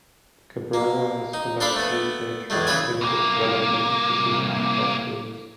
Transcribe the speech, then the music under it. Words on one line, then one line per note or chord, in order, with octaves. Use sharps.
Cabrera has conducted research regarding the development of decision support tools.
A#3
D#4
D4 A4 C5 D5 F5 B5
A3 B3
E2 A2 G#3 A3
C#3 E3 G#4 B4 E5 G#5
C2 A#3